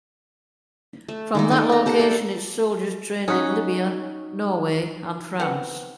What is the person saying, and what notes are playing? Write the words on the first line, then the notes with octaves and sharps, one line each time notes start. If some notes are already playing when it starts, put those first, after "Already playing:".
From that location its soldiers trained in Libya, Norway, and France.
A3
D#3 A#3 D#4
A3 D#4 D5
B3 A#5
G4 A4 F#5
D5 E5
C#4 D#4 F#4 B6
B3 C4